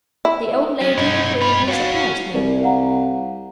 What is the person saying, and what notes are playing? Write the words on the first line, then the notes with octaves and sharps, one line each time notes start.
The old lady agreeably surprised me.
E4
F#3 G#3 C#4
G2 B2 D#4 G#6
G3 F4
F#3 D4 F#4 C#5 F5
C#4
C2 A#4
F5 F#5 A#5